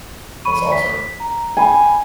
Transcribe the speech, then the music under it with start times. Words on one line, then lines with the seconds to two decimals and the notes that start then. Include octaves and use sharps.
that's awesome.
0.45 B5 C#6 D#7
0.72 B6
1.20 A#5
1.57 G5 G#5 B5